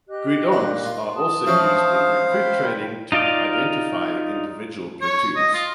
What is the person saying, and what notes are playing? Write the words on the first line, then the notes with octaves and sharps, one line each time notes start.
Guidons are also used in recruit training to identify individual platoons.
G4 D#5 F#6
A#2
F4
A5 D#6
E3 F3 C#4 C5 F5
G5 B5
D#4 F4 D5 D#5 F5
C#5
D#5
F4